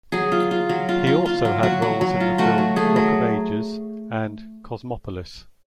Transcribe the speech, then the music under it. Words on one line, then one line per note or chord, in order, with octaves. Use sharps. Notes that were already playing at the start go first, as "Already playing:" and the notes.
He also had roles in the film "Rock of Ages" and "Cosmopolis".
F#3 G#4
F4
F4
F#3
F4
F4
F4
F#3
F#3 F#4
F#3
F#3
F4
A3 F#4
F#3
A3 G#4
F#3